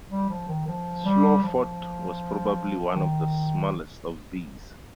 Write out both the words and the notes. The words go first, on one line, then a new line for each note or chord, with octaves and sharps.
Slough Fort was probably one of the smallest of these.
G3
F3
D#3
F3
G3
F3
D#3